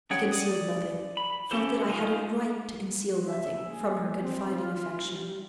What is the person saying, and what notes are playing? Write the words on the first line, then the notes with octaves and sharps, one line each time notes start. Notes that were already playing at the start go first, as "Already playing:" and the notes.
I concealed nothing--felt that I had a right to conceal nothing--from her confiding affection.
C#4 G#4 C#5 F#5 G5
D5 D#6
B5
C#4 F#4 G4 A4 C5
G#3 A3 D#4 F4
E5
A#3 G#4
C4
F4
G3